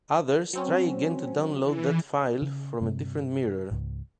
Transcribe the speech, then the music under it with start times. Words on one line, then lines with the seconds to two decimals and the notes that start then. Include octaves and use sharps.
Others try again to download that file from a different mirror.
0.53 F#3 C4 C#4
1.62 E3
2.42 C#3
2.81 G2 C3
3.71 C#2 G#2